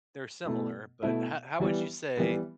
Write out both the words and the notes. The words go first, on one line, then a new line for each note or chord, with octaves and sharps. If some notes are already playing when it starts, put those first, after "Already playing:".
They're similar, but ho how would you say
B2 A3 E4
B2 A3 E4
E3 G3 B3
E3 G3 B3